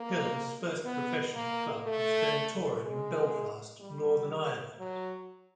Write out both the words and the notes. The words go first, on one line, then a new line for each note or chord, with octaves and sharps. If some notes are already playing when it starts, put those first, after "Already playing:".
Hill's first professional club was Glentoran in Belfast, Northern Ireland.
Already playing: A#3
B3
A#3
A3
G#3
G3
F#3